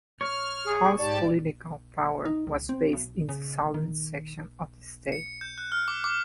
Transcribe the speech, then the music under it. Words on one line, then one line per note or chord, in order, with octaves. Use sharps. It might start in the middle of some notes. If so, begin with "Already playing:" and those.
Haugh's political power was based in the southern section of the state.
C#5 F6
G#4
G#2 G4 D5 A5
D#4
C#2
C4
B1
C#3
D#3
C#7
G6
F#6
F6
D6
D6